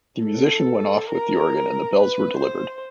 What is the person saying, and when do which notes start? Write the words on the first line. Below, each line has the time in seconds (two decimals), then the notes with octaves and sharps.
The musician went off with the organ and the bells were delivered.
0.24 A4
1.09 A#4
1.95 B4
2.37 C5